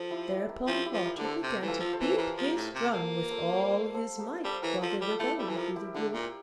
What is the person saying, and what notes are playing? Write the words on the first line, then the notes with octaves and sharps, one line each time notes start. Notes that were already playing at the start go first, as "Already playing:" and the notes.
Thereupon Walter began to beat his drum with all his might while they were going through the wood.
Already playing: F3 A4 C5
E4 G4
E4 G4
G4 A#4
F3 E4 G4
E4 G4
F3
G4 A#4
D3
A4 C5
C3
E3
F4 A4
F3
A4 C5
E3
C5
E3 G4 A#4
F3
G4 A#4
A2
C3
A#3 F4 A4
A4 C5
A4 C5
A4 C5
G4 A#4
G3 A4 C5
E3 G4 A#4
F3 F4 A4
G3
A4
A3 E4 G4
G3 E4
E3 A4
F3 G4 A#4
E4 G4
D3 E4 G4
A#2 G4 A#4